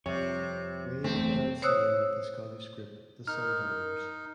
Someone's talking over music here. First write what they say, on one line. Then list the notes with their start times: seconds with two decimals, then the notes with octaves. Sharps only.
Ray began singing with the Scottish Group the Sundowners.
0.06 F2 C3 G3 C#5
1.04 F#1 E2 A3 C4
1.62 C5 C#5 D#6 E6 F#6
3.28 D#4 A#4 F6